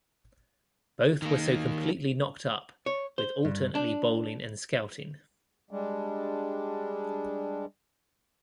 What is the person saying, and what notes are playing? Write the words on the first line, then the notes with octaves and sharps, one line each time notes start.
Both were so completely knocked up, with alternately bowling and scouting.
D#3 A#3
C#5
C5
G2
D4
G3 G#3 D4